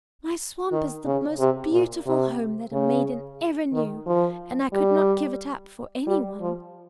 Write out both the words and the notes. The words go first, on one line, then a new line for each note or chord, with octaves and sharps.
My swamp is the most beautiful home that a maiden ever knew, and I could not give it up for any one.
D#3
C#3
C3
A#2
C3
C#3
D#3
F3
G3
G3
F3